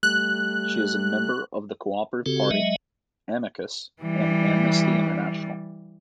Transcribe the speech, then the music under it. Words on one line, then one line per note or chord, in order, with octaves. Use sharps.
She is a member of the Co-operative Party, Amicus and Amnesty International.
G3 A3 F#6
C#3 C4 F#4 G4 A4
F#3 G#3 D#5 E5
E3 G3